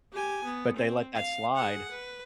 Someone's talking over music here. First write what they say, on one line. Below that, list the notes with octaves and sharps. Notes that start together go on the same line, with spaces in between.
But they let that slide
G4 G#5
B3
C4
F5
G#4 F#5
B4